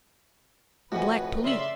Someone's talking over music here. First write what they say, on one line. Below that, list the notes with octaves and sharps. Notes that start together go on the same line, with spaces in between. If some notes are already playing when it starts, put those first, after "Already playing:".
The Black Police.
F2 A2 F#4 B4 F#5 G#5
C#3 D5 E5 C6 F#7